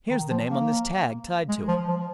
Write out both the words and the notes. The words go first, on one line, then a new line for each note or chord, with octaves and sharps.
Here's the name on this tag tied to it.
D#3
F3
A#3
G#3
F3
F3